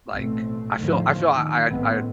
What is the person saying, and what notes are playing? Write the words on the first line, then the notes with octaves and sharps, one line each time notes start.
Like, I feel I feel I I
A1 B2 A3 C4
E2 A2 D3 D#3 F3
D#3
A1 A2 G#3 B3 C4